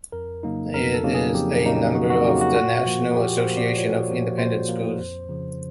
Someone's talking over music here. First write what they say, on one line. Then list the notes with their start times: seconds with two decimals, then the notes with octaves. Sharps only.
It is a member of the National Association of Independent Schools.
0.12 F2 A#4
0.43 C#3 F#3 A#3 D#4
0.74 F2 A#4
0.94 A4
1.04 C#3 F#3 A#3 D#4
1.14 G#4
1.34 F2 G4
1.65 C#3 F#3 A#3 D#4
1.95 F2 F#4
2.10 F#4
2.25 C#3 F#3 A#3 D#4 G4
2.41 F#4
2.56 A#2 F#4
2.86 F3 A#3
3.16 A#2 G4
3.37 C5
3.47 F3 A#3
3.57 D5
3.78 A#2 C#5
4.07 F3 A#3
4.38 A#2 C5
4.68 F3 A#3
5.00 F2
5.29 C#3 F3